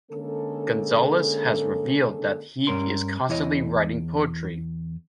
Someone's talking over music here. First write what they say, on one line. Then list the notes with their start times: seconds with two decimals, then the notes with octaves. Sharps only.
Gonzales has revealed that he is constantly writing poetry.
0.11 D3 G#3 A#3 C#4 G#4 A4
2.67 G2 C#4 A#4 C6
3.29 E2 E4 C#5 D#5